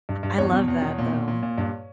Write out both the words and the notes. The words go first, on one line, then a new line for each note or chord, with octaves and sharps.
I love that though,
G2
G2
E2 C#5
B2
E2
B2
A#2
A#2
A#2
A#2
G2